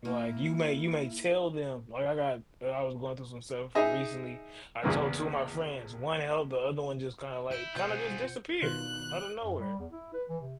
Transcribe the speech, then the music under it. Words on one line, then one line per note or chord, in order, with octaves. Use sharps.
Like you may you may tell them, like I got I was going through some stuff recently. I told two of my friends, one held, the other one just kinda like, kinda just disappeared out of nowhere.
A#3 E4
D#4 G#4 D#5 E5
A#1 E2 A#2 C#3 E3 A#4
E4 G6 D#7 G7
B2 F4 G#4 C5 F#5 G6 C#7
B2 D#3 F4 F#6
F#2
G3
E2
E4
B4
E3
C3